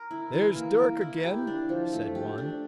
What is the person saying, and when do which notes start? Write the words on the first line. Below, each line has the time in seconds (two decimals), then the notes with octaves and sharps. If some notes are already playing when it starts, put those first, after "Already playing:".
"There's Dirk again," said one.
Already playing: A#4
0.11 E4
0.33 E3
0.56 A#3
0.78 A#4
1.01 E4
1.25 G4
1.47 D4
1.69 F3
1.93 A3
2.15 G4
2.38 D4